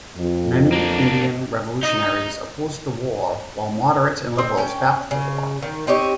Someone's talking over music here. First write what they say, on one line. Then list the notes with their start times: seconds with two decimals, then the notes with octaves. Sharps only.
Many Indian revolutionaries opposed the war, while moderates and liberals backed the war.
0.17 F2
0.72 A#3 D4
1.83 D#4 D#5
4.38 C4
4.58 C#4 G5
5.11 C#3
5.62 D#3
5.87 C4 D#4 G4 C#5